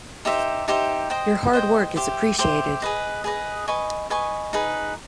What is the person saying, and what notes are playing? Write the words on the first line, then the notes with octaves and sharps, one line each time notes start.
Your hard work is appreciated.
D#4 G4 C5 E5
D#4 G4 C5 E5
C5 D#5 G5
C5 D#5 G5
G4 C5 E5
G4 C5 E5
G#4 B4 D#5
G#4 B4 D#5
B4 D#5 G#5 C#6
B4 D#5 G#5 C#6
D#4 G#4 B4